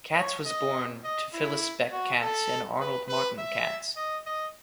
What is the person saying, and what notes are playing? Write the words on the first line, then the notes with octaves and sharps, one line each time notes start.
Katz was born to Phyllis Beck Katz and Arnold Martin Katz.
C#5
D#5
D#5
E4
F#4
A4
B4
B4
E5
D#5
D#5